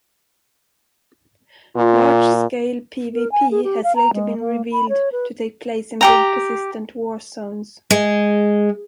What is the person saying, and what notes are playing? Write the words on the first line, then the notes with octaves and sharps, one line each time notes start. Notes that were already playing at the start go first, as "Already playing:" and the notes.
Large scale PvP has later been revealed to take place in big persistent warzones.
A#2 F4
A#4
G#5
G#4
G4
F5
A#5
G#3
A#3
B5
C#5
B4
G4 G5 A#5
G#3